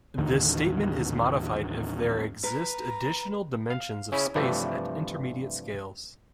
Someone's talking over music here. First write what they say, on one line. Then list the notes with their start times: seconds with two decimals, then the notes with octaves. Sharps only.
This statement is modified if there exist additional dimensions of space at intermediate scales.
0.18 A1 D#2 D3 D#3
2.44 B4 A#5
3.70 F5
4.12 C#3 C#4 E4
4.35 G2 C3 E3 F3 A3